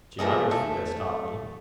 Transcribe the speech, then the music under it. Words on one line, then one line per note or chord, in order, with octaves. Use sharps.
"Geography has taught me."
F3 A3 A#3 G#4
A3